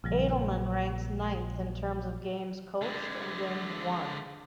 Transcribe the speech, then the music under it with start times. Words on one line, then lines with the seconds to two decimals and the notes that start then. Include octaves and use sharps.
Adelman ranks ninth in terms of games coached and games won.
0.04 A#1 C#3 F3 G3
2.81 D3 G#3